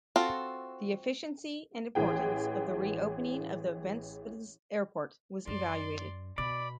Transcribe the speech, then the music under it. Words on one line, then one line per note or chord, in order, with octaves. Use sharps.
The efficiency and importance of the re-opening of the Ventspils Airport was evaluated.
C4 F4 F#4 A4
A1 E3 G#4 G5
F#2 D5 C6
B2 D5 B5